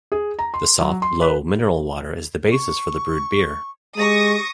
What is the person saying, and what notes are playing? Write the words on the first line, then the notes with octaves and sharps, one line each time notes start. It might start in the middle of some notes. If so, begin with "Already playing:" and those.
The soft, low mineral water is the basis for the brewed beer.
G#4
A#5
C6
F#3
C6
B4
C#6
G#3 G4 C#6 D#6 A#6